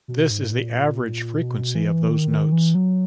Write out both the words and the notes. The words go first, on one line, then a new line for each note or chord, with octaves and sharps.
This is the average frequency of those notes.
B2
G#2
A#2
B2
E3
D#3
D#3
E3
F#3